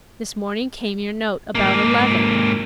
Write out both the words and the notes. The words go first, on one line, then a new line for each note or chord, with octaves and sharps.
This morning came your note, about eleven.
G#2 A#3